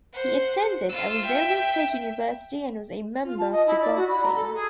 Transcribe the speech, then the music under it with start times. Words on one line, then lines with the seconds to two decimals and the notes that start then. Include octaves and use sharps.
He attended Arizona State University and was a member of the golf team.
0.14 C5 F#5
0.89 F4 E6
1.26 E5 G5
3.24 F4
3.38 A5
3.52 D#5
3.66 E4
3.81 D5
3.96 F#4
4.08 B5
4.22 A#5
4.35 A4
4.54 G#4